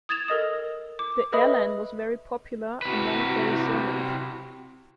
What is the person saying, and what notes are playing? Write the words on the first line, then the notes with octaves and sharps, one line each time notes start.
The airline was very popular among Arizonans.
D#6 G#6 A6 E7 F7
A4 A#4 D#5 D#6
D6
A4 B4 D#5 E5 B5 D#6
C3 E4 F#4 B4